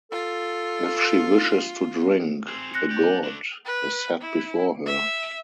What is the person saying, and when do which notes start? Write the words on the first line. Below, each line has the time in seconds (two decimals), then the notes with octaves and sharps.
If she wishes to drink, a gourd is set before her.
0.11 F4 A4
2.48 C4 G#4
2.74 F#6 A#6 C#7
2.90 D5 G5
3.24 A3 D4
3.66 B4
4.21 E4
4.86 E5